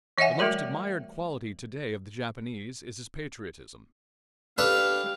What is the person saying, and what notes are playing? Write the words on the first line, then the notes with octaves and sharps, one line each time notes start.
The most admired quality to-day of the Japanese is his patriotism.
E3 C#5 D#5 E5 F#5 G#5
G3 A3 F#4 A#4 D5
D4 G4 A4 B4 F5